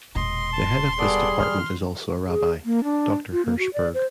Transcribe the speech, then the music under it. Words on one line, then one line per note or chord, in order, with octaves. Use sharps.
The head of this Department is also a Rabbi, Doctor Hirschberg.
E1 A#2 D#5 C6
A5
G3 B3 G#4 A4 D5
E3 F6
G#4
A#3
D4
F4
A#3
F#4
D5
C5